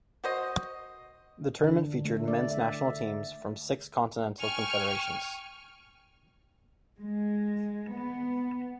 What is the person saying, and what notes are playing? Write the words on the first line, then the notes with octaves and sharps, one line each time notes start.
The tournament featured men's national teams from six continental confederations.
F#4 C5 D#5
D3
A3
D5
E5
G5 G#5 C#6 F6
G#3
B3